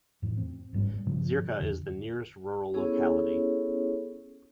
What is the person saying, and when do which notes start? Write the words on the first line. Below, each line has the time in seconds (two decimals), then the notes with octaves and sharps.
Zirka is the nearest rural locality.
0.22 F2 A2 E3
0.37 C4
0.73 G1 G#2 G3 C#4
1.06 G2 A#2 C#3 F3
1.60 F2 D3
2.74 B3 C#4 E4 G#4 A4 C#5